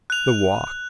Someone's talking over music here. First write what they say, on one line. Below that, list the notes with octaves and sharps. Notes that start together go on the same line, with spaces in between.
The walk.
F#6 F7